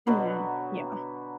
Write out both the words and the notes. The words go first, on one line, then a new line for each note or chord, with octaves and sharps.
Mhm, yeah.
B2 D3 F#3 B3